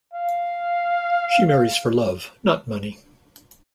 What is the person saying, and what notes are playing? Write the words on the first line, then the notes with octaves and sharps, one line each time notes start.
She marries for love, not money.
F5